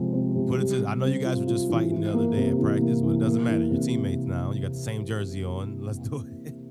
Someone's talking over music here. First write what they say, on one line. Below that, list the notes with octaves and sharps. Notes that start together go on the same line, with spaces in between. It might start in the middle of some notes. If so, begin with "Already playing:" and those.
put it to the I know you guys were just fighting the other day at practice, but it doesn't matter, you're teammates now, you got the same jersey on, let's do it.
Already playing: C3 F3 G#3 C4
C4
C3
G3
G3
C4
F4
F4
E3
E3
A#3
C3
E3
A#3
E3
A#3
E3
C3